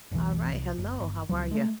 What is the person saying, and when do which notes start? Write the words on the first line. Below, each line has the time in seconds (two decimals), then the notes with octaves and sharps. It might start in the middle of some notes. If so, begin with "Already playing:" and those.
All right, hello. How are you?
0.12 F1 B1 E3
0.52 C2
0.78 F#1
1.00 G1
1.29 C#2 F#3
1.51 G#3 A3